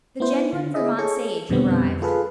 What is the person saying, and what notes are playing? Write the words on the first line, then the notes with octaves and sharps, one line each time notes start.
The genuine Vermont Sage arrived.
B3 E4 C5
D3
E4 G#4 D#5 E5
G#4 A4 C#5 C#6
F2 B2 D3 G3 B3 C4
F4 G#4 A4 B4 F5